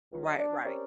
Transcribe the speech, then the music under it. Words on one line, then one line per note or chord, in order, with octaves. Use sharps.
Right, right.
C#2
F#3 C#5 D#5
D4
C4 C#4 G4 A#4 D5